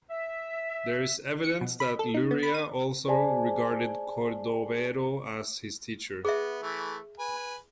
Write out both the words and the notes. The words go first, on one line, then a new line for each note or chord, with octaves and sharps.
There is evidence that Luria also regarded Cordovero as his teacher.
E5
C#7
B2
B5
A4
D#4
B3
B5
D#7
G#4 C5 D5 G#5 A5
B3 G#4 E5
E3 A3
B4 G#5